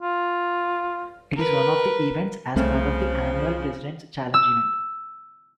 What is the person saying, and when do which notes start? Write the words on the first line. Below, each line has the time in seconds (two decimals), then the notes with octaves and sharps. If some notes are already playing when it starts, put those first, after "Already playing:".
It is one of the events as part of the annual President's Challenge event.
0.02 F4
1.36 A#4 B4
2.56 C2 C#3 F3 A3 C4
4.34 E6